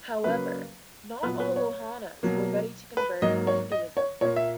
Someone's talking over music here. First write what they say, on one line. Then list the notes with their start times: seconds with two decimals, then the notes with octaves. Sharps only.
However, not all Lohanas were ready to convert from Hinduism.
0.24 C#3 F#3 A#3 B4
1.23 A#2 F#3 B3 B4
1.40 B4
1.56 C#5
2.23 B2 F#3 A#3
2.97 B4
3.22 G#2 F#3 A#3 D#5
3.47 C#5
3.72 D#5
3.97 C#5
4.21 A#2 A#3 C#5
4.36 E5